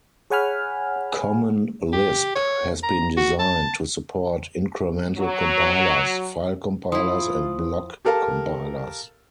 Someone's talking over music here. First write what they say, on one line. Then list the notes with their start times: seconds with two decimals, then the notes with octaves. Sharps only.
Common Lisp has been designed to support incremental compilers, file compilers and block compilers.
0.30 G#4 C#5 F#5 G#5 B5 F6
1.93 G4
2.35 C#5
2.83 A#5
3.17 F#4
3.39 A5
5.18 F#3
6.92 F3 E4 F4 C6 D#6
8.05 G4 A4 A#4 F5 A5